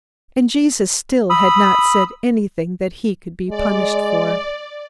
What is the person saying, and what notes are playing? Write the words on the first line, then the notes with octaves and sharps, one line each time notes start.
And Jesus still had not said anything that he could be punished for.
B5 D#6 E6
G#3 D5